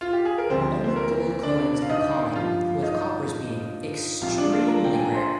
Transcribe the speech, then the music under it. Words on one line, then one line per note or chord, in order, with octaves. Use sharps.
Only gold coins are common, with coppers being extremely rare.
F4
G4
G#4
A#4
D2 C3 F3 C4 C5
C5
A#3 A#4
D4 D5
F5
D#4 D#5
G2 F3 F4 F5
D#4 D#5
C2 C3 F3 F4 F5
D4 D5
F4 F5
A#4 A#5
G5
G#5
A#5
C5 C6